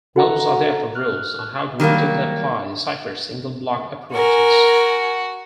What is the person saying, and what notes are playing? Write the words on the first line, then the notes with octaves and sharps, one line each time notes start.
Modes are therefore rules on how to repeatedly apply the ciphers' single-block operations.
F#4 A4 F#5 A#5
F6 F#6
D#3 F#3 G3 A#3
F#4 A#4 G#5